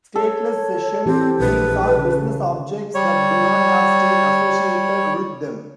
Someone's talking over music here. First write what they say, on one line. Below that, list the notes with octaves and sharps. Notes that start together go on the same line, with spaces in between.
Stateless Session Beans are business objects that do not have state associated with them.
A4 C#5
E3 C4 G4 C5
A#1 B4
C#3
G3 C#5